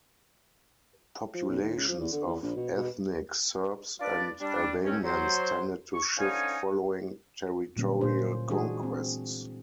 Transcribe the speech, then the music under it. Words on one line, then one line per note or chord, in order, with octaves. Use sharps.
Populations of ethnic Serbs and Albanians tended to shift following territorial conquests.
F3
B1
D#2
C#2
F3
E2
D3
E2
A#1
B2
B2
D4 F4 B4 D5
G3 D4
D#2 C4 C#4
F#3 C5
C#6
D3 F3 C#4 D#4 C#5 G#5
A#2 D3 F#3 G3 A#3 C#4
A#2 A#3 F4 C5
E3 G#3 D4 F#4 G#4
C4